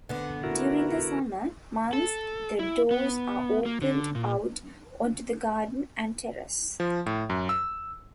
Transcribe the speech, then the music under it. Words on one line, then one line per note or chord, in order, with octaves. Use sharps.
During the summer months the doors are opened out onto the garden and terrace.
D3 B3
E4 F#4 A#4
A4
E4
B3
A#3
D3
A#2
F3
A2
F#2
E6